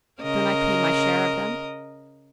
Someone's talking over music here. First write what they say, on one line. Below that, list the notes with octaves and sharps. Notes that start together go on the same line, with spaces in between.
"Don't I pay my share of them?"
C#3 A#4 D#5